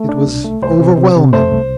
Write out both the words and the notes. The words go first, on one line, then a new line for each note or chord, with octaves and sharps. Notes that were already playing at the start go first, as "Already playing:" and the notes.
It was overwhelming.
Already playing: A3
D4
C2
A3
C2 C5
C3
C3
C3
A3 C5
C2